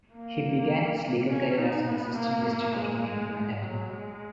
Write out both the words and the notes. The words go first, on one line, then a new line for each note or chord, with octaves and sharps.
He began his legal career as an assistant district attorney in Manhattan.
A#3
C#4
D#4
B3
A#3
G#3
G#3
G#3
F#3
G#3